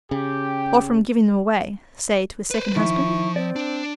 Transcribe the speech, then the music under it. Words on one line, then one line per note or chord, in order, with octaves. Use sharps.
"Or from giving them away,--say to a second husband."
C#3 G4
B4 C5
D#3 F3 E4 C#6
C4 D5
D4